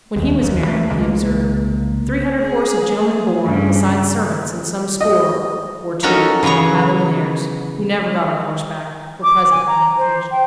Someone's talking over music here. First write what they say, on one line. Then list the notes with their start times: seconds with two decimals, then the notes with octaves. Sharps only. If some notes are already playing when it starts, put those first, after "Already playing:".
'When he was married,' he observed,'three hundred horse of gentlemen born, besides servants, and some score or two of Highland lairds, who never got on horseback, were present on the occasion.'
0.16 F1 D#2
0.42 D#2
0.65 E3 G#3 A3
0.90 C2 C#3 G#3 A#3
2.40 G#4
3.45 G2 C#3
5.01 D#5
6.03 C#4 D#4 F#4 A4 A#4 C#5
6.43 C#3 E3 B3 C#5 A#5
9.23 D6
9.51 G#5
9.68 A#5
9.97 C5
10.31 G5